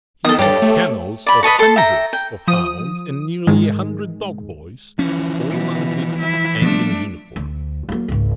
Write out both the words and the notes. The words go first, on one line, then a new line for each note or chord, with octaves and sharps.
He has kennels of hundreds of hounds and nearly a hundred dog-boys--all mounted, and in uniform.
D#3 B3 A4 D#6
G2 G4 A4 C#5
A3
D5 B5
B4 D#5 A5 C#6
A4 A5 C6
E5 G5 A#5
G5
F3 D#6
G#2 D#3 G#3
E3 F3 C#4
B2
E4
F3 G3 A3 B3 D4
D2
F#3 A#3
G#1 C#2